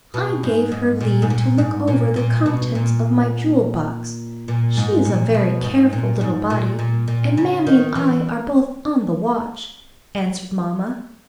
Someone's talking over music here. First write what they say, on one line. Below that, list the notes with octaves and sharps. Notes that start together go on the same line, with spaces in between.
"I gave her leave to look over the contents of my jewel box; she is a very careful little body, and mammy and I are both on the watch:" answered mamma.
B2
G#2
G#2
A#2
G#2
A#2
G#2
A#2
A#2
B2
A#2
A#2
G#2
A#2
B2
G#2
A#2
G#2
A#2
A#2
A#2
C#3
D#3
E3